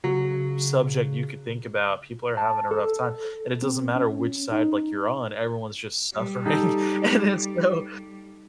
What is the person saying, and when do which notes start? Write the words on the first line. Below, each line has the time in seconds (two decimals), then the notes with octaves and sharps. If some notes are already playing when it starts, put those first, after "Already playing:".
subject you could think about, people are having a rough time, and it doesn't matter which side, like, you're on, everyone's just suffering, and it's so
0.04 C#3 F#3
2.37 A5
2.71 A4
3.62 C4
3.96 C#4
4.52 D#4
6.13 G3
6.45 D#4 G4 A4